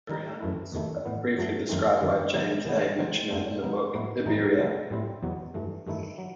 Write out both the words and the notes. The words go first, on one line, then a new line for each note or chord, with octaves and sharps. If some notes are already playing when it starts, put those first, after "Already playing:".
In literature, Burriana is briefly described by James A. Michener in the book, "Iberia".
D#3 G3 D#4
F#2 E3 A3 E4
E2 C3 D#3 A3 E4
A2 E3 B3
G2 F#3 A3
F#2 D#3 A3 C4
F#2 D#3 G3
D#3 F#3 B3 E4
C3 E3 B3
C3 D#3 F#3 C4
F#2 F#3 A3 C4
C3 F#3 B3 D#4
A2 F#3 B3 E4
A2 E3 G3 D#4
C3 F#3 A3 E4
A2 G3 C4 E4
E2 B2 F#3
G2 E3 A3
G2 D#3 A3 E4
F#3